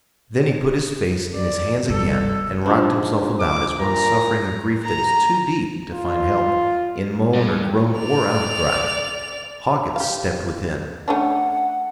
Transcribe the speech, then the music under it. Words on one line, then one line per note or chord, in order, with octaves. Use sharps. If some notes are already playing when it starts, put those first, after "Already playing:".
Then he put his face in his hands again and rocked himself about as one suffering a grief that is too deep to find help in moan or groan or outcry. Hawkins stepped within.
D5
F1 G2 A4
G#2 F3 D4
D6
A#2 A#5
A#5
F4
G2
D5 F7
G4 F5
A3 C#4 D4 F#5